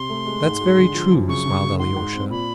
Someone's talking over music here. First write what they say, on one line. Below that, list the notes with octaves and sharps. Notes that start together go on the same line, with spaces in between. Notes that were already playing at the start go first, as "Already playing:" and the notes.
"That's very true," smiled Alyosha.
Already playing: C3 C6
A3
G#3
G#2
G#3
D3
F3
F#2
C#3 C#6
C#3
D2
G#2 C6
G#2
C4
A#2 B5